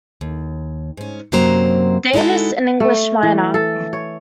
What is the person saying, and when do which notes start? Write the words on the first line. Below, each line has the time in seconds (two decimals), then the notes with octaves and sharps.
Davis an English miner.
0.21 D#2
0.97 G#2 C#4
1.32 F#2 C3 F#3 A#3 C5 A#5
2.13 G#3 D#4 E4 F#4 A4
2.80 A3
3.23 E3
3.54 A4
3.93 C#5